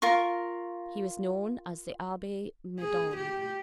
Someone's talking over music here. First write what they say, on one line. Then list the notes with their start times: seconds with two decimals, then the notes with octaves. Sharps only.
He was known as the Abbe Midon.
0.02 F4 A#4 C#6
2.79 G#4
3.17 G4